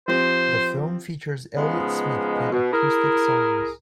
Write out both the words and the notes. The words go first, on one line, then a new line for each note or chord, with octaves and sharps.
The film features Elliott Smith playing acoustic songs.
F3 C4 G4 C5
C#3 F3 G#3 B3 D#4
B2
E4 G#4 A#4